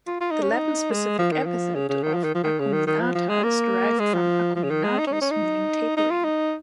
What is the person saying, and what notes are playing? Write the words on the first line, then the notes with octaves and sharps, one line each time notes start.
The Latin specific epithet of "acuminata" is derived from "acuminatus" meaning tapering.
F4
F4
D#4
C#4
D#4
G#3
F3
D#3
F3
C#3
C#3
D#3
F3
D#3
F3
D#3
C#3
D#3
D#3
F3
F3
G#3
A#3
G#3
F3
F3
C#3
D#3
G#3
D#4
C#4
D#4
C#4
D#4
D#4
F4
D#4